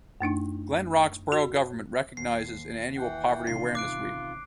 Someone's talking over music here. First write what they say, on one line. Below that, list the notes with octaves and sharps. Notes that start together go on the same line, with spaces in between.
Glen Rock's borough government recognizes an annual Poverty Awareness Week.
F#2 A3 D4 D#4
F#4
D#2 C7
E3 F#5 G5
A1 C3 D#3 F4 C7
D6 F#6 D7